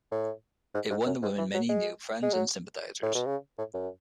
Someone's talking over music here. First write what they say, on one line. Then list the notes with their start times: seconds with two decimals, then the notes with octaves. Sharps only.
It won the women many new friends and sympathisers.
0.12 A2
0.74 G#2
0.90 G#2
1.06 F#2
1.22 G#2
1.38 E3
1.54 F#3
1.69 G#3
2.23 G#3
2.33 F#3
3.02 A2
3.15 B2
3.26 C#3
3.58 A2
3.74 F#2